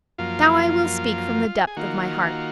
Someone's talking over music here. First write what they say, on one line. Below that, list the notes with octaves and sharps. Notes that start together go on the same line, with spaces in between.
But now I will speak from the depth of my heart.
F#2 F3 A#3 F4
G#4
D#3 A#3 F4 F#4